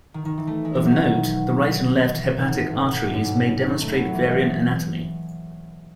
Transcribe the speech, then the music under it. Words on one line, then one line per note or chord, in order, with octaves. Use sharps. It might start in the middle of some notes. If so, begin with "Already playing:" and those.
Of note, the right and left hepatic arteries may demonstrate variant anatomy.
D#3
D#3
E3
A3
G#3
E3
F#3
D#3
B2
E3
D#3
B2
A2
A2
A2
B2
A2
G#2
F#2
G#2
B2
C#3
C#3
D#3
A3
B3
A3
F#3
E3
G#3